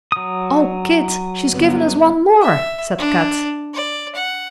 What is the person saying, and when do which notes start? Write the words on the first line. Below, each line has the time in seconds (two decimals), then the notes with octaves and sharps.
"O Kit, she's given us one more!" said Kat.
0.12 F#3 D#6
1.50 G2 D3 B3
2.41 E5
2.98 D4
3.74 D5
4.15 F#5